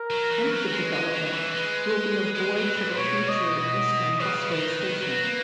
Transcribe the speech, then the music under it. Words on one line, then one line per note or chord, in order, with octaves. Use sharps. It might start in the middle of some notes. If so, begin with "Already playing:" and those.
Under the development, will be a void for the future Eastern Busway station.
Already playing: A#4
F#3
E3
F#3 B4
G#3
G#3
F#3
E3
G#3
G#3
F#3
G#2
B2 C#5
D#5
D#5
C#3 B4
D#3
D#3
F#3
A#3